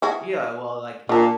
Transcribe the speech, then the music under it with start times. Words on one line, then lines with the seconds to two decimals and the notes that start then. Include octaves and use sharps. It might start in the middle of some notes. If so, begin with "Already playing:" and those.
Yeah. Well, like
0.02 E4 F#4 G#4
1.09 A#2 D4 A5